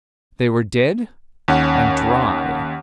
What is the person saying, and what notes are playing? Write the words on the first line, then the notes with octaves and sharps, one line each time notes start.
They were dead and dry.
D#2 C#4 F#5